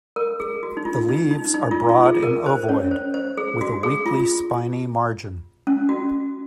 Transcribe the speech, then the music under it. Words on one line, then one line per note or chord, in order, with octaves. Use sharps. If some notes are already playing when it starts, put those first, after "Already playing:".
The leaves are broad and ovoid, with a weakly spiny margin.
A#4
G#4
F#4
D#4
F4
D#4
D#4
D#4
F4
F4
G#4
A#4
C5
C#4 C#5
C5
C5
G#4
F#4
G#4
F4
C#4
F#4